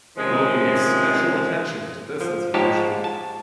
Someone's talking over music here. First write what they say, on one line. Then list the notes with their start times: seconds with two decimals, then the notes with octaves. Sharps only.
Bholu gave special attention to this institution.
0.17 C3 D#3 F3 G#3 C#4
2.21 F3
2.54 G#2 F3 G#3 G4 C#5 A5
3.04 A5